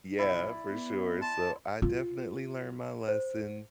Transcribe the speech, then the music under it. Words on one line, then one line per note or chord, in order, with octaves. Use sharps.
Yeah. For sure. So, I definitely learned my lesson,
B1 E4 D5
B3
A5 C6
F4
C5